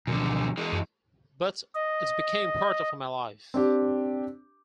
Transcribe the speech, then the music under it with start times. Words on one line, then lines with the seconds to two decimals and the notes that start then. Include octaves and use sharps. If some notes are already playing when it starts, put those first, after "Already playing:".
But it became part of my life.
0.07 F#2 B2 D3 D#3 F3
0.57 E3 G#3
0.72 F#2
1.75 D#5
3.54 C4 D4 G4